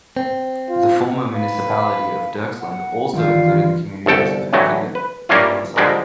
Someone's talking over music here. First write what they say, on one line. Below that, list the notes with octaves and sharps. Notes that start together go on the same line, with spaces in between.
The former municipality of Dirksland also included the communities of Herkingen, and Melissant.
C4
F4
B4 F5
F#5
G1 D#3 E3 F4 G4
G1 C2 A4 G5
A2 D3 E3 F#3 A3
B4
G3 A#3 C#4 D4 E4 F4
D3 F3 G3 G#3 D4 A#4